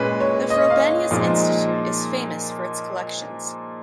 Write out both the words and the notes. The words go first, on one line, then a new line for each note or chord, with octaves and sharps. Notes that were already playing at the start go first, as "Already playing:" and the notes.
The Frobenius Institute is famous for its collections.
Already playing: A#2 G#3 C#4 B4
C#5
D#5
F5
A#2 F3 G#3 D#4